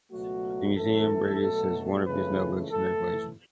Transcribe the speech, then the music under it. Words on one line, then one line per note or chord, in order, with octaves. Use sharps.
The Museum Bredius has one of his notebooks in their collection.
C#2 B2 F#3 A3 F#4
F#2 E3 A3 A4
B2 F#3 A3
C#2 C#3 E3 A3 B4
A2 E3 A3 A4